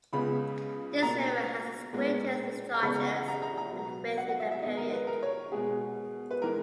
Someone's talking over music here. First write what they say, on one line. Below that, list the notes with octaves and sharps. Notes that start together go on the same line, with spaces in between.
This river had its greatest discharges and width in that period.
C#2 C#3 G#3 B3 B5
B2 A#3 A#5
A#2 G#3 B3
A#5
E2 C#3 G#3 B3 B5
A#5
F#5
F#5
A#5
A#5
A#5
B2 F#3 B3
F#5
F#5
E5
E5
G#2 D#3 G#3 B3 D#5
A#4
B4
A#4
C#5
B2 G#3 B3 G#4
B4
E3 G#3 A#4